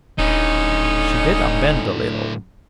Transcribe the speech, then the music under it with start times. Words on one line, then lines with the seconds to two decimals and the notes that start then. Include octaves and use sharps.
She did unbend a little.
0.18 D#1 A2 D3 C#4 D#4